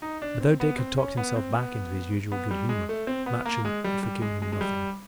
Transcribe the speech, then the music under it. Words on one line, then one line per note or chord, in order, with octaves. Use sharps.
But though Dick had talked himself back into his usual good-humour, Matcham had forgiven him nothing.
D#4
D4
C4
B3
C4
C#4
B3
C4
B3
B3
G3
G#3
A3
C4
B3
A#3
G#3
G3
G3
G#3
G#3
G#3
G3